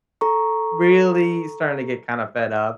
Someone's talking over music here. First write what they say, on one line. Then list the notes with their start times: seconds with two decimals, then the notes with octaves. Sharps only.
really starting to get kinda fed up,
0.21 A4 A#5 C#6